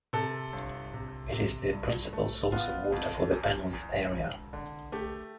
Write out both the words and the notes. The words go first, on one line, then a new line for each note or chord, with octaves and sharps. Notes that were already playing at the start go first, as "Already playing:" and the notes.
It is the principal source of water for the Penwith area.
C3 A4
G1
C3
C3
G2
A3
B3 F4
F2
E2
E2
E1
D3
A3 G4